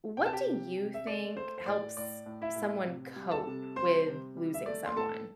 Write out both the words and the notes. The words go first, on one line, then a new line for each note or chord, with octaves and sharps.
what do you think helps someone cope with losing someone?
C3 G5
A5
G4 G5
C3
C3
E5
A3 D5
A3 C5
C5
A2 D5
A2 D5
A2
E4 E5
A2
C3
G3
A4 A5
C3
G3 C5 C6
C3
G3
E5
A3 D5
C6
A2 A4 A5